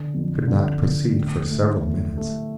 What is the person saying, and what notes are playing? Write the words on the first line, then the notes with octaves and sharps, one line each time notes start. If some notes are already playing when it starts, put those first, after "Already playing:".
He could not proceed for several minutes.
Already playing: D3
F2
D3
D3
A2
A3
A3
A3